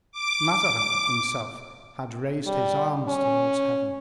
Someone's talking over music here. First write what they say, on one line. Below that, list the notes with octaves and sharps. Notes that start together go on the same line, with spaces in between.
Mazarin, himself, had raised his arms towards heaven.
D6
G3
C#4